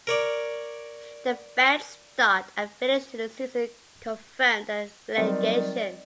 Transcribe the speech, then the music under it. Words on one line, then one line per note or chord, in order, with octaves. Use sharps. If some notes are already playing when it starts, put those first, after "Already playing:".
The bad start and finish to the season confirmed the relegation.
A#4 C#5 D5
D#3 F#3 G3 C4 D5